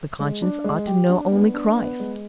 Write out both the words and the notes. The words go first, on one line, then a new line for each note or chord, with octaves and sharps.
The conscience ought to know only Christ.
G#3
D4
G#3
G4
D4
B3
D4
B3
G#3